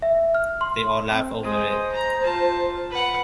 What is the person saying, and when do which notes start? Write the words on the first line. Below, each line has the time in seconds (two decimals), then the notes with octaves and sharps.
They all laugh over it.
0.02 E5
0.35 F6
0.61 C6
1.09 C4
1.43 G#3 C5 D#6
1.92 A#5
2.23 F4 A5
2.91 B4 F#5